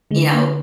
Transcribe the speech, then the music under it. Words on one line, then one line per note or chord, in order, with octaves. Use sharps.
you know,
D3 G#3
A#3